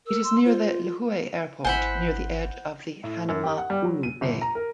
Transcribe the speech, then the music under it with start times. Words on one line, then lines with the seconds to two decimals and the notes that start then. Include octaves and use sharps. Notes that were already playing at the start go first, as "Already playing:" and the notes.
It is near the Lihu'e Airport, near the edge of the Hanama'ulu Bay.
0.07 A#4 E6
0.24 C6
0.45 F4 C5
1.65 G#1 E4 C5 F#5 G#5 B5
3.04 A2
3.29 F#2
3.43 G4
3.58 F#5
3.70 G3
3.84 F#3
4.03 D#7
4.21 G1
4.42 A#5
4.55 A#4